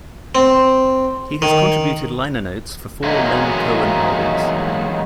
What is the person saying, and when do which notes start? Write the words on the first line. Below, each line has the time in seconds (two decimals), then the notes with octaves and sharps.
He has contributed liner-notes for four Leonard Cohen albums.
0.35 C4
1.42 D#3
3.04 E3 F#3 G#3 A#3 B3 D#4